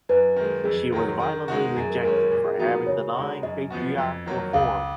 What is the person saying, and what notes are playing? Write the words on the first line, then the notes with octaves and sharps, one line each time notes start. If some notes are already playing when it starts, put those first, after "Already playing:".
She was violently rejected for having denying patriarchal authority.
F#2 B4
D#3 G#3
F2 G#4
D#3 F#3
D#3
G#3 D#4 F#4
F#2 G#4
A#4
D#3 G#3 C#4 A#4
A#4
A#2 A#4
G#4
F3 B3 D#4 F#4
A#4
C#3 C#5
G#3 D#4 F#4
F#2 D#5
F3 B3 F#4
F2
D#3 F#3 A#3
C#2 F5